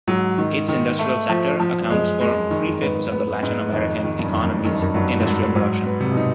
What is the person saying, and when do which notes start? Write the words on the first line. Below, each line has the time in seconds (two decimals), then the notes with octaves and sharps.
Its industrial sector accounts for three-fifths of the Latin American economy's industrial production.
0.07 G#2 F#3
0.38 D#3
0.68 D#3
0.99 A3
1.29 F3
1.60 F3
1.81 G2
1.90 F#2 G#3
2.21 G#3
2.27 F2
2.35 F#2
2.50 D#3
2.82 G#2 B3
3.12 B3
3.43 G#2
3.73 F2 D#3
4.04 D#3
4.19 G2
4.25 F#2
4.33 F2 D#3
4.41 F#2
4.64 F#2 D#3
4.73 G2
4.82 F#2
4.94 G2 F#3
5.19 G#2
5.25 G2 F#3
5.43 A2
5.55 G#2 F#3
5.86 B3
6.00 C3
6.12 B2
6.17 D#4